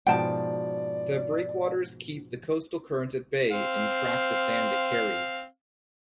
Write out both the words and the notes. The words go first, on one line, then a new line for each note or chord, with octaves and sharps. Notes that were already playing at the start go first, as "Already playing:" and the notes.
The breakwaters keep the coastal current at bay and trap the sand it carries.
G#2 B2 F3 D5 G5 A5
C4 F5